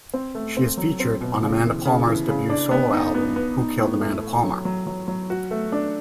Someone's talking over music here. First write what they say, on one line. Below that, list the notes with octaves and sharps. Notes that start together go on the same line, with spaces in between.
She is featured on Amanda Palmer's debut solo album, "Who Killed Amanda Palmer".
C4
A3
C4
F#3
C4
B2
C#3
E3
C#3
E3
C#3
D4
B3
D#4
B3
B3
D#4
A2
A3
A3
F#3
F#3
F#3
F#3
F#4
A3
D4